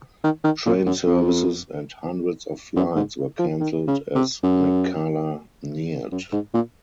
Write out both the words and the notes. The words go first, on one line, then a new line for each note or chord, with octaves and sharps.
Train services and hundreds of flights were cancelled as Mekkhala neared.
D#3
D#3
A#2
F#2
F2
F#2
G#2
F3
D#3
C#3
C3
F#2
F#2
G#2
A#2